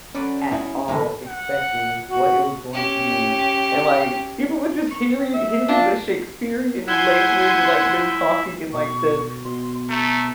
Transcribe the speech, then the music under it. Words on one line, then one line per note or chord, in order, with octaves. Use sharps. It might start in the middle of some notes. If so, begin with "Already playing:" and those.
at all, expecting what it was going to be. And like, people were just heari hearing the Shakespearean language, like, them talking in like the
F#3 C#4 B4 D5
D#4 E4
A2 D3 E3 G#3 A#3
F#5
F#4
C#4 G4
C#6
C4
E5
D4 F4
E4 F#5 G#5 C6 G6 G#6
B2 C#6
B2 C6
A3 A#5